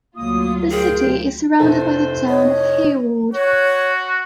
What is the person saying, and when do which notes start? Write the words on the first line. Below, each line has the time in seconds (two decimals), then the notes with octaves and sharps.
The city is surrounded by the Town of Hayward.
0.16 D2 F#3 A#3 F4 D#6
0.71 G#4 A#4 G5
1.60 F1 E4 A4 C5
2.29 C#5 D#5
3.33 F#4 C#5